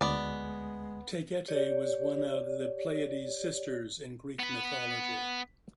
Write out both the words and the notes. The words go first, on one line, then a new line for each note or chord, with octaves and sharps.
Taygete was one of the Pleiades sisters in Greek mythology.
D2 G#3 B3 D5
G4 C#5 D5
B3 B4